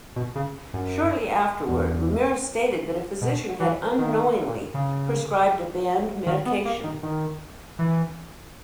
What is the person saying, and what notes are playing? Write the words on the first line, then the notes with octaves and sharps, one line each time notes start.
Shortly afterward, Ramirez stated that a physician had unknowingly prescribed a banned medication.
B2
C#3
F#2
E2
B2
E3
D#3
C#3
D#3
B3
A#3
D#3
D#3
E3